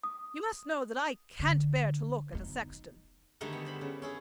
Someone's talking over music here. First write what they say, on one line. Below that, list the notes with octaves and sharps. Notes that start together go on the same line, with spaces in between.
You must know that I can't bear to look at a sexton!
D#6
D3
B3 D#4
D3 D#3 G3 A3 G#4 A#4
B3
B3 C5 B5
C#3
C#4 E4 G#4